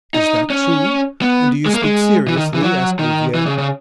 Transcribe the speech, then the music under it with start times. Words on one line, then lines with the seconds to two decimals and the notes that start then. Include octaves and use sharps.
"Is that true, and do you speak seriously?" asked Louvieres.
0.14 D#4
0.50 C#4
1.22 B3
1.66 G#3
1.74 A#3
1.83 G#3
2.28 E3
2.37 D#3
2.54 E3
2.63 F#3
2.99 D#3
3.34 E3
3.46 C#3
3.58 C#3